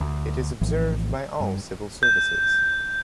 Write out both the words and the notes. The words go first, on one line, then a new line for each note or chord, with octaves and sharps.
It is observed by all Civil Services.
D2
A#1 A2 E3 F3
G2
G6